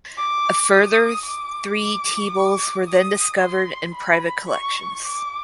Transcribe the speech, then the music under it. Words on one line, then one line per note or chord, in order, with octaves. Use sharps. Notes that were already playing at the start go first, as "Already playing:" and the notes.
A further three tea bowls were then discovered in private collections.
D6
D#6
D6
D6
D#6
C6
B5
C#6
D6